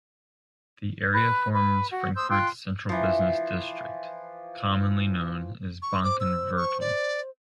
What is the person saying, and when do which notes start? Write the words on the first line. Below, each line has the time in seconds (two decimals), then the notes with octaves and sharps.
The area forms Frankfurt's central business district, commonly known as Bankenviertel.
1.14 B4 F#6
1.54 B4
1.91 F#4
2.16 C5 D#6 E6 G6
2.29 F4 G5 C6 F#6
2.89 E3 F3
5.82 C#6
6.03 C5 D6
6.20 E6
6.57 C#6
6.80 D5